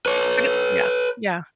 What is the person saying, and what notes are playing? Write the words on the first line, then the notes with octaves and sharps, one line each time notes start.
but it Yeah, yeah.
B4 C#5